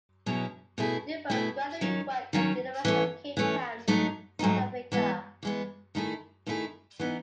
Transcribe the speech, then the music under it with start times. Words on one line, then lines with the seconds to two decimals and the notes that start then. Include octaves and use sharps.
He did post-graduate work at the University of Cape Town, South Africa.
0.26 B2 F#3 C#4 E4 G#4
0.78 B2 A3 E4 G#4
1.30 B2 A3 E4 G#4
1.81 D#3 F#3 C#4
2.33 D#3 F#3 C#4
2.85 E3 A3 C#4
3.37 E3 A3 C#4
3.88 G#2 F#3 A3 D#4
4.39 G#2 F#3 A3 D#4
4.92 E3 G#3 B3
5.43 E3 G#3 B3
5.95 D#3 A3 E4 G#4
6.46 D#3 A3 E4 G#4
6.99 E3 B3 D#4